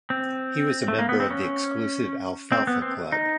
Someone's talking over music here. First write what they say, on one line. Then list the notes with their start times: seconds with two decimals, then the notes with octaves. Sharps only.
He was a member of the exclusive Alfalfa Club.
0.10 C4
0.88 A3
0.99 A#3
1.09 B3
1.20 C4
1.31 C#4
2.52 C4
2.67 B3
2.82 C4
3.12 D#4